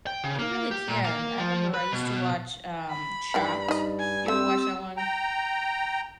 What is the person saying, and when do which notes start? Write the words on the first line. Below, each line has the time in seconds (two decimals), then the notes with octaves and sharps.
They really can. I remember I used to watch, um, Chopped. You ever watched that one?
0.07 G5
0.24 C#3
0.39 A#3
0.71 G4
0.88 A#2
1.05 A#3
1.39 F3
1.74 B4
1.92 B2
2.90 B5
3.34 G2 D#3 E3 G3 G5
3.68 D#4 D#5
3.99 G#5
4.28 A3 C4 G4 E6
4.97 G5 A#5